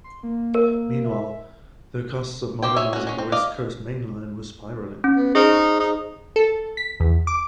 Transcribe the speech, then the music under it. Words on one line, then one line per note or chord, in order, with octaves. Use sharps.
Meanwhile, the costs of modernising the West Coast Main Line were spiralling.
C6
A#3
A#4
E5
A#3 G4 C5 G5
G#4 C#5 E5
C#4 F#4
G#3 C#4
C4
D5 D#5 F5
C#4
B3
D#4 G#4 C5
D#4
A4
B6
E2
D6